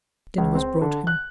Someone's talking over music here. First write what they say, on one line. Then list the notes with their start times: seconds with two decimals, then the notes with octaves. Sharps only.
Dinner was brought him.
0.38 C#2
0.55 C4
0.81 D3
1.07 F#6